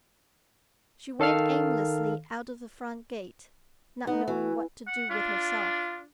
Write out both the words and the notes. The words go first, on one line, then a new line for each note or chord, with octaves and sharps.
She went aimlessly out of the front gate, not knowing what to do with herself.
D#3 A4 F5 F6
B3 D#4
E3 F#4
F#5
D4 F4